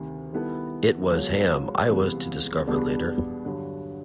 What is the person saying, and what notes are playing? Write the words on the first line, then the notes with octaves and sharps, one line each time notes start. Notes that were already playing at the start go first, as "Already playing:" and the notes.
It was ham, I was to discover later.
Already playing: D2 C3 D#3
D#3 G3 B3 E4 A4
C#2 B2 F#3
C#2 C3 E3 G3 B3
E2 B2 G3 B3 D4
G2 D3 F#3